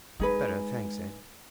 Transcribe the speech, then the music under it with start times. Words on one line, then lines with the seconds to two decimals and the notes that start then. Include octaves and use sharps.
"Better, thanks, Ed."
0.20 G#3 D#4 G#4 B4